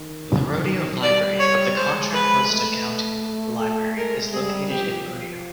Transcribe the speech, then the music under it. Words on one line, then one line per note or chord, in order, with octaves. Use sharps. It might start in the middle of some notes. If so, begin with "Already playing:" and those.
The Rodeo Library of the Contra Costa County Library is located in Rodeo.
Already playing: D#3
G3 D5
C#5
G#3 C5
B4
A3
A4
G#3 A#4
G3 G#4
F3 G4